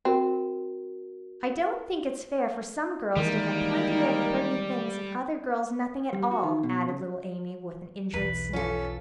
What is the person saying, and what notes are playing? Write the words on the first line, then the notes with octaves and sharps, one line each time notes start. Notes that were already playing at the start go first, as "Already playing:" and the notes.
"I don't think it's fair for some girls to have plenty of pretty things, and other girls nothing at all," added little Amy, with an injured sniff.
C4 F#4 A#4
D#3 E3 G3 G#3 A#3 D#4 A#4
G3
F#4
D#3
B2
C#3
B1 E2 B4
C#4 F4 A4